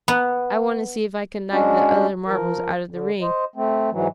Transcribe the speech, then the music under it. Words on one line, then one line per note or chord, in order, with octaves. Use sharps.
"I want to see if I can knock the other marbles out of the ring."
B3
G#3 C#4 D4 F#4
F3 A#4
D3
C5 D#5
A3 C4
G#2 E3 F#3